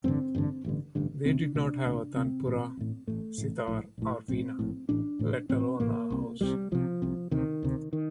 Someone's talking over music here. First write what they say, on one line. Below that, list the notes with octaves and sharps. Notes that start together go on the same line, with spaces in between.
They did not have a tanpura, sitar, or veena, let alone a house.
A1 G2 D3 C4
A1 G2 D3
A1 G2 D3
A1 G2 D3
D2 C3 C4
D4
D2 C3 D4
D2 C3
D2 C3 C4
A1 A2
A1 A2
A1 A2 A3
A1 A2
A#1 A2
A#1 A2
A#1 A2 C4
A#1 A2
A1 A2 D4
A1 A2
A1 A2 C4
A1 A2 A#3
C2 C3
C2 C3 G3
C2 C3 F3
C2 C3
D2 C3 D#3
D2 C3
D#3